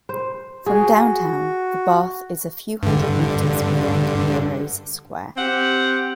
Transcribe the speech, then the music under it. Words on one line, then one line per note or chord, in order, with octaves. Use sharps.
From downtown, the bath is a few hundred metres beyond Heroes' Square.
C5
F#4 G#4
G2 D3
C4 G4 F#5